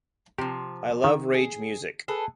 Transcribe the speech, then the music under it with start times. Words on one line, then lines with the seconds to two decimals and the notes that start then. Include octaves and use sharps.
I love rage music.
0.38 C3 F3 G4
1.04 D#3
1.34 G#4
2.08 G#4 A4 B4